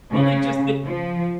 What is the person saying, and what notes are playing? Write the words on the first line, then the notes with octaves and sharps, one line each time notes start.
Well, they just they
C#3
F3